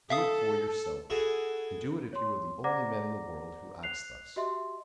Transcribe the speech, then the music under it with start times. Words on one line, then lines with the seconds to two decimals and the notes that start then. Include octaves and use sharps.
Do it for yourself, and do it if you are the only man in the world who acts thus.
0.10 A4 E5 F5 D#6
1.10 E4 F#4 G#4 A4 C#6
2.13 C#5 C6
2.64 C5 D5 F#5 A#5 D6 A#6
3.83 F#6 C7 F7
4.36 F#4 G4 D#5 E5 C6